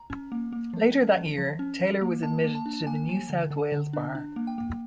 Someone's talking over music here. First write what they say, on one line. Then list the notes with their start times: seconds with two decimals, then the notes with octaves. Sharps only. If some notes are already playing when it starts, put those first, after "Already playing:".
Later that year, Taylor was admitted to the New South Wales Bar.
Already playing: A#5
0.10 C#4
0.32 A#3
0.53 A#3
0.74 F3
0.95 C#4
1.17 F3
1.38 F3
1.59 C#4
1.81 F3
2.02 A#3
2.23 A#3 A5
2.44 A#3
2.55 A5
2.66 D4
2.87 A#3 G#5
3.09 F3
3.30 D3
3.51 D3
3.72 D3
3.93 D4
4.15 D4
4.36 A#3
4.47 G5
4.58 A#3